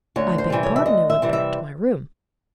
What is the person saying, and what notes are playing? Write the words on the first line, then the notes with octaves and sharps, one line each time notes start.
I begged pardon and went back to my room.
D2 C#5
C5
C3 E3 G3
C#5
E5
D2 D#5
E5
C3 E3 G3
E5